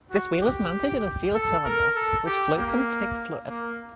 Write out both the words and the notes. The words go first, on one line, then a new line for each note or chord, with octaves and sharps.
This wheel is mounted in a sealed cylinder, which floats in a thick fluid.
F#4
G4
A4
A#4
A4
G4
A#3
A#3